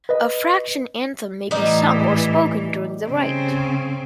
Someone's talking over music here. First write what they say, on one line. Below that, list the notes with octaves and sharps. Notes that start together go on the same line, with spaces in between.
A Fraction Anthem may be sung or spoken during the rite.
B4 D#5
A2 E3 G3 D#4 D#5
C#3 C4